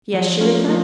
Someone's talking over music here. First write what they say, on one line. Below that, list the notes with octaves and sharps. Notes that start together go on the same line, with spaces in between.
"Yes," she replied.
F3
A3 C#4 F4 A#4
F3